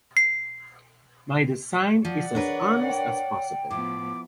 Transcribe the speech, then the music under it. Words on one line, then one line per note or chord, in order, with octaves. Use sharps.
My design is as honest as possible.
C7
F3 D5 F#5
D4 A#4 B4 C#5
G5
A2 F3 B3 D6